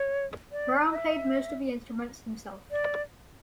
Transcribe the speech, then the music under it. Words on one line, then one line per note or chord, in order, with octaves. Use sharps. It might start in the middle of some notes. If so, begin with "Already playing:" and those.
Brown played most of the instruments himself.
Already playing: C#5
D5
D#5
E5
D5